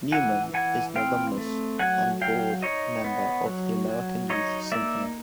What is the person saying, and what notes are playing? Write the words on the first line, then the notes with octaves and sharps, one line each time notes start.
Newman is an alumnus and Board Member of the American Youth Symphony.
E3 F#5 G#5
E3 F#5 G#5
C4 F5 G5
A3
F#3 F#5 G#5
F#3 F5 G5
D#4 C#5 D#5
B3
F#3
F#3
D#4 C#5 D#5
A#3 D5 E5